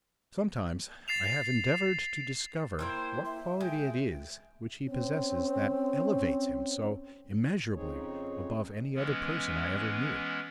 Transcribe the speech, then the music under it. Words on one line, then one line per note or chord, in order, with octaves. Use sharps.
Sometimes I have endeavoured to discover what quality it is which he possesses that elevates him so immeasurably above any other person I ever knew.
A6 C7 E7 F7
A#3 E4 C5 G5
E5
G#3 G5
C4 C#4
F2 C#3 C4 D#4 G#4 C#5
E3 G#3 B3 C#4